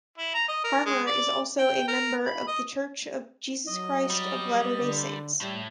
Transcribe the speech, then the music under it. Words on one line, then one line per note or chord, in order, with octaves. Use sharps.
Harmer is also a member of The Church of Jesus Christ of Latter-day Saints.
E4
A#5
D#5
A#4
G#3
D5
G5
A#4
B5
D#5
F#3 D#5
G3
D3
A2 G3